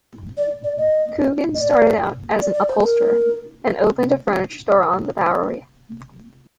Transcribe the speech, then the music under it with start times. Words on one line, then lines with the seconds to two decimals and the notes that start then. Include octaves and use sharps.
Coogan started out as an upholsterer, and opened a furniture store on the Bowery.
0.37 D5
0.64 D5
0.78 D#5
1.54 D#5
1.60 D5
2.41 D5
2.54 D5
2.68 C5
2.82 A#4